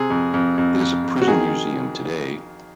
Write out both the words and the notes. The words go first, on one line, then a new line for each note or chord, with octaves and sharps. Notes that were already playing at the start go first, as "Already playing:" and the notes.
It is a prison museum today.
Already playing: C3 G#4
F2
F2
F2
F2
F2
F#4
D#3 G#4